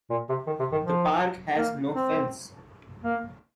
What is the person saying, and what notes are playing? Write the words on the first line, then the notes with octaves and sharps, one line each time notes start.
The park has no fence.
A#2
C3
D#3
C3
D#3
F3
A#3
C4
A#3